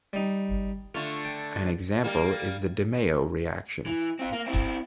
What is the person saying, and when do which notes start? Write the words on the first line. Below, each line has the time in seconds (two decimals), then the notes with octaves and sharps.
An example is the DeMayo reaction.
0.13 G3 D#4
0.95 D3 A3 F4
1.25 G5
2.04 G3 A#3
3.86 E3
4.19 C4 F4
4.32 A#3
4.46 C4 E4